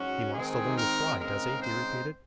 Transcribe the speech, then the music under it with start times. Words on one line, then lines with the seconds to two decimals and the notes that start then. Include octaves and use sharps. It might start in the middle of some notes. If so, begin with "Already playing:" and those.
"He wants to learn to fly, does he?" he repeated.
Already playing: G#2 F#3 C#4 F#4
0.34 D#3 G#3 C4 D#4 G#4
0.78 A#4
1.20 C#3 G#3 C4 D#4 A#4
1.62 C5